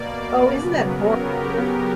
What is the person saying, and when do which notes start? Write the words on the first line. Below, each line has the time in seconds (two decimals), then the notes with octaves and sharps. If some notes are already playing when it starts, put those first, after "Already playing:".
Oh, isn't that horrible?
Already playing: B2 A#3 D5
0.55 C#3 F#3 B3 B4
0.85 A#4
1.16 G4